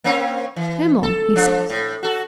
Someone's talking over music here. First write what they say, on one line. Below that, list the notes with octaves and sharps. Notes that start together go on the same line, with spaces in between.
"Himmel!" he says.
A#3 C4 C#4
E3
A4
F3 D4
A2
F#4 A4